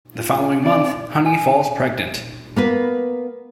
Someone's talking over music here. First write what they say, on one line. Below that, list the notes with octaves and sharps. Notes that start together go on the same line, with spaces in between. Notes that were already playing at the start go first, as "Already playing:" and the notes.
The following month, Honey falls pregnant.
F4
C4 D5
G#5
A#3 B3 B4